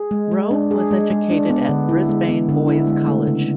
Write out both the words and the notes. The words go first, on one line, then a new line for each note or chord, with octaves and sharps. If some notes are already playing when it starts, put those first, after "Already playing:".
Roe was educated at Brisbane Boys' College.
Already playing: G#4
G#3
G#3
D4
G#4
G#3
G#3
D4
B3
D3
E4
G#3
B3
D3
E4
G#3
A3
C#3